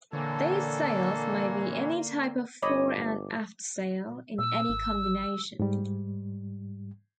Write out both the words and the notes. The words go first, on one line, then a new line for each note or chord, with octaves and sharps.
These sails may be any type of fore-and-aft sail, in any combination.
A#2 D3 E3 A#3 A4 C#5
G1 C#5 D#5 B5 D6
A#2 E6
G#1
G#2 G3